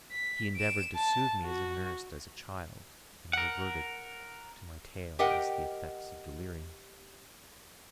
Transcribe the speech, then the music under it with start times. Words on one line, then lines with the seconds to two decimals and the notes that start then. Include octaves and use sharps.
He endeavoured to soothe me as a nurse does a child and reverted to my tale as the effects of delirium.
0.12 B6
0.56 D7 E7
0.95 A5
1.45 F#4
3.33 A#4 F#5
5.19 G4 A#4 D#5 F#5 G5